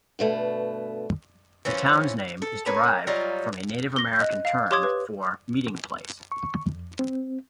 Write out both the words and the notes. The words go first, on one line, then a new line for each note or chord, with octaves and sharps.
The town's name is derived from a Native American term for meeting place.
G2 B2 A3 B4
E3 F3 C#4 F4
A4
A#3 C#4 B4
F#3 G3 D#4 F4
A#6 G7
D#5 F#6
F5
G4 C#5 C6 D6 D#6 G#6
B4
C#6
F2
C4